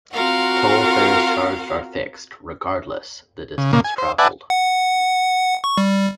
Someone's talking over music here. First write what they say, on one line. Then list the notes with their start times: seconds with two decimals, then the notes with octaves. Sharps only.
Toll fares charged are fixed regardless the distance travelled.
0.12 C4 F4 F#4 A#4 F5 F#5
3.58 C#3
3.73 A#2 C#3 A#3
3.84 G#5
3.98 C5
4.18 B4 D5 E5 F#5 G#5 A5
4.50 F#5
5.64 C#6
5.78 G3